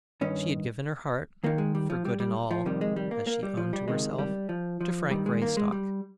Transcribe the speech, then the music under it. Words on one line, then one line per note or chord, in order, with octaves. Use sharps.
She had given her heart,--for good and all, as she owned to herself,--to Frank Greystock.
G2 D#3 C#4
D#2 D#3 A#3
G#3
G3
F3
G3
G3
F3
F2 C3 D#3 G3
G#3
G3
A#3
A#3
G3
F3
G3
C#2 C3 D#3 G#3
G3
F3
F3
G2 D#3 G3
G#3
A#3
G#3
G3